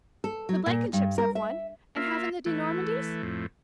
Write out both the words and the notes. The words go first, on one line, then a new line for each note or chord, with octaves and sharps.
"The Blankenships have one, and haven't the de Normandys?"
A4
F#3
A#2
G2
A#4
E5
A#3 F4 E5
E3 A3
F2 A2